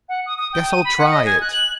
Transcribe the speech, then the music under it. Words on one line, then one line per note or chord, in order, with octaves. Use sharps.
"Guess I'll try it."
F#5
D#6
D#6
G5
D#7
B5
F#5
D#5
G#5
F#6
F#7